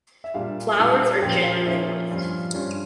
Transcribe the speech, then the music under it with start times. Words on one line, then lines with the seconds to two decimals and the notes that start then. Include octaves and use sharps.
Flowers are generally white.
0.24 E5
0.34 A#2 G3 D4 F4 F5
0.78 A#2 G3 D4 F4
1.21 A#2 F3 C#4 F4 G5
1.43 F5
1.65 A#2 F3 C#4 F4 E5
2.10 G2 F3 C#4 F4
2.54 G2 F3 C#4 F4